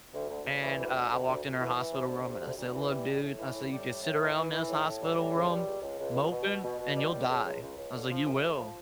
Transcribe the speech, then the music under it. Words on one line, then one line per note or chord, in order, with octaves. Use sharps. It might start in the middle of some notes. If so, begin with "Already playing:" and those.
and I I walked in her hospital room, and I said, "Look, dude." I said, "You could sit around in this hospital room moping, and you'll die." I was like, "You will."
D2
D2
D2
E3
D2
D2
D2
D2
D2
E3
E3
C3
D2
C3
D2
D2
E3
G3
A2
A2
E3
A2
G3
A2
A2
E3
E3
E3
A2
A2
G3
A2
C#2
G3
C#2
C#2
C#2
B2
B2
B2
B2
B2
G3
C#2
C#2
C#2
C#2
C#2
D3
F3
F#2
A3
F3